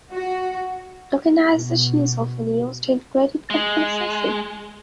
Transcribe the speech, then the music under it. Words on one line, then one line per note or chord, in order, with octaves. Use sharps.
Tokenization is often used in credit card processing.
F#4
B2
G#3